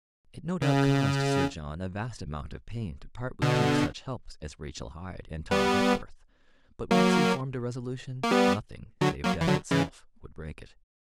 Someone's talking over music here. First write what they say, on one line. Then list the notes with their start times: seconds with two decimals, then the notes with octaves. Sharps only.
It no doubt caused Sir John a vast amount of pain to part with two such helps as Rachel Hyde and Tom Hepworth; but once he formed a resolution, nothing save death itself would break it.
0.62 C#3
3.42 B2 D3
5.51 G3 B3
6.91 F#3 A#3
8.23 A#3
8.31 G3 B3
9.01 D3 F#3
9.24 F#3 A#3
9.41 E3
9.48 D3 F#3
9.71 C#3 E3